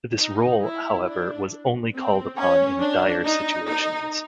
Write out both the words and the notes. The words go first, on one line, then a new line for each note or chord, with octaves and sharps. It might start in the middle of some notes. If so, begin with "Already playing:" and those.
This role, however, was only called upon in dire situations.
D#4
E4
D4
C4
C#4
D4
D#4
D#4